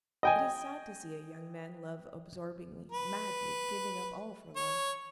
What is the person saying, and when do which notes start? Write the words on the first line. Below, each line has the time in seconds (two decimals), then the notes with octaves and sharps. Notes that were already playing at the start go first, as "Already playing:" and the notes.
It is sad to see a young man love absorbingly, madly, giving up all for love.
0.23 D#5 G5 G#5
2.92 B4
4.56 C#5